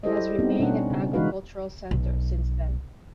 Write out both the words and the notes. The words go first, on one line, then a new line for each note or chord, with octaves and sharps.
It has remained an agricultural center since then.
E4 G4 A4 C5 D5 D#5
G3 B3 C4 D#4
B2 C#4 D4 F#5
C#3
E3 G#3 D#4 F#4 B4 F5
B1